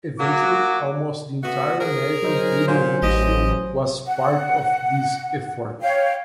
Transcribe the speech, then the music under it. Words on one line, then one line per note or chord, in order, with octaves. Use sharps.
Eventually, "almost the entire American cable industry" was part of this effort.
F#3 A#3 F#4 D6
A3 B3 F#4
G#4 A#4
F#3 D#4 C5
A#2 F#3 C5 G#5
A1 G4 D#5
F#5
C#5 F5 G5